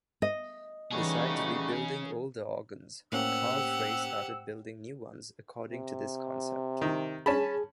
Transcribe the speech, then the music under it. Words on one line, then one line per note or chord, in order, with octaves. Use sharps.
Besides rebuilding older organs, Carl Frei started building new ones according to this concept.
D#5
E3 G3 A3 C#4 D#4 F#4 G#4
A2 C3 A#3 C#4 G4 F#5 E6
C3
D#3
C#4 G#4 A5 B5